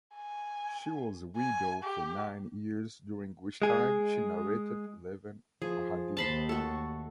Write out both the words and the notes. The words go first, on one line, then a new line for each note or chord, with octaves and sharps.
She was a widow for nine years, during which time she narrated eleven "ahadith".
G#5
G#5
G4
G#3 G#4
F3 G#4
D#2 C5 A5 B5 C6
A3 F#4 A4